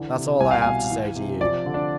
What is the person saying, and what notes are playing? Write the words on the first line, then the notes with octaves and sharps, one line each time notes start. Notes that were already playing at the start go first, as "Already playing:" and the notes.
That's all I have to say to you.
Already playing: D3 E3
C3
C2 G#5
F5
B2 G#5
E3
C3
F3 D5
D3
D4